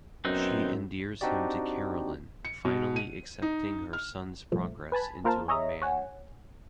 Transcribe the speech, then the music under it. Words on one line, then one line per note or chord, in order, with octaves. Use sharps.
She endears him to Carolyn, finally accepting her son's progress into a man.
F#2 B3 C4 D#4
C4 D4 D#4 F#4 G4 D5
C#7
B2
D#7
D#4
F6
C2 G2 A#2 F3 A3
B4 G#5 A5 B5
A#3 F4 A#4 C5 F5 A5
G#4 C#5 D#5 E5 A#5
C#5 F#5 G#5